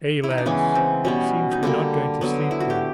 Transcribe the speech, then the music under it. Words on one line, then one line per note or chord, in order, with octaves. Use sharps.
"Eh, lads! seems we're not going to sleep, then?"
E4
D#4
D4
C#3 E3 G#3 B3 C#4
C4
B2 G3 B3 C#4
D#4
D3 G3 A#3 D4
D3 F#3 B3
E4
F#4
G4